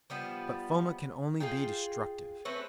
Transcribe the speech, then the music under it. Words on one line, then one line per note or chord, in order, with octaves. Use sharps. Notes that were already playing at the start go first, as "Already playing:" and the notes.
But Foma can only be destructive.
F3 G3 B3
F4 G#4 F5 G5
A3 C4 C#4 B4